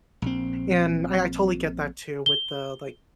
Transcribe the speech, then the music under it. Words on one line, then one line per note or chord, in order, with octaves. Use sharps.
and I I totally get that too with the, like,
A#1 C4
G7